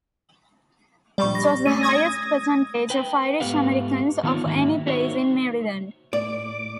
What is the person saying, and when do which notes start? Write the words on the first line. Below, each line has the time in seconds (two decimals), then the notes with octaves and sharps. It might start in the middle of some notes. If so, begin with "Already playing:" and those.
This was the highest percentage of Irish Americans of any place in Maryland.
1.18 A#1 G3 D5 B5 C#6
1.35 A#6
1.66 A3 C#4 D#7
1.81 D#6 G#6 A#6
2.90 B4 G5
3.40 G#2 A3 B3 G4 B4 F5
4.23 D#3 B3 D#4 F4 C#5 D5
4.45 G#2 D#3 A#3 F#4 E5
4.87 D#4 F#4 C5 C#5 E5
6.13 A2 D5 D6